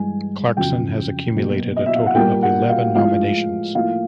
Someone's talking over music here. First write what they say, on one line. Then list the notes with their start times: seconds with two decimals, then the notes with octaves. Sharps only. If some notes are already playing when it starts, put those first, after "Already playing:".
Clarkson has accumulated a total of eleven nominations.
Already playing: G2 E3 G#3 G#5
0.57 F2 C#3 F#3 G5
1.36 B2 F#3 A#3
1.77 D#5
1.86 E5
1.96 F5
2.06 F#5
2.15 A#2 G3 A#3 G5
2.43 F#5
2.69 F5
2.95 A2 F3 G#3 F5
3.75 A2 F3 A#3 F5